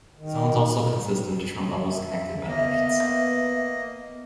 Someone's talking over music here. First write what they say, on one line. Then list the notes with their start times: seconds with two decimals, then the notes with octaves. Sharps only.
The zones also consist of different levels connected by lifts.
0.19 D#3
1.89 E5
2.48 A#3 B3 D#5